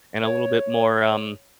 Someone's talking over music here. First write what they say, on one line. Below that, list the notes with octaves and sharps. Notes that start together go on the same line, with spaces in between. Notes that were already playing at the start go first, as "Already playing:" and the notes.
and a little bit more, um,
C#5